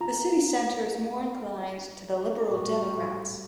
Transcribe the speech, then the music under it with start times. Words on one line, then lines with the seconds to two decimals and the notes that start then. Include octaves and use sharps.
The city centre is more inclined to the Liberal Democrats.
0.01 F4 A#5
2.48 A2 G3 F#4